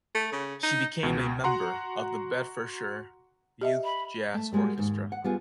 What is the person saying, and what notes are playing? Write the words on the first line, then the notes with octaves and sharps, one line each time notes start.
She became a member of the "Bedfordshire Youth Jazz Orchestra".
A3
C#3
D#4
C#2 B2
F#4 F#5 A#5 C6
G4 D#5 E5
B5
A3
G3 G#3 A#3 F#4
D#2 G#2
F#5
G3 B3 F4 G#4